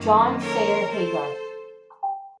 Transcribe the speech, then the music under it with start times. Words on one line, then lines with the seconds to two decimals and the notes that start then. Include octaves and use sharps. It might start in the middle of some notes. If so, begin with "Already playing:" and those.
John Sayer Haygarth.
Already playing: F#2 D#3 A#3
0.40 A#4 C#5
0.89 A4 C5